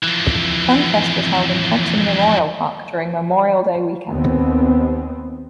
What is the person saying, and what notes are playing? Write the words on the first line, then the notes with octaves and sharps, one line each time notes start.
Funfest was held in Thompson Memorial Park during Memorial Day weekend.
F2 E3
D#2 B3 C4